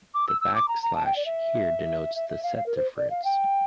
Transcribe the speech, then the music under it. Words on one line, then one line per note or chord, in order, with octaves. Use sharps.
The backslash here denotes the set difference.
D6
E6
E6
D6
A#5
A#5
A5
G5
D5
E5
E5
E5
F5
F5
A#4
C5
D5
F5
G5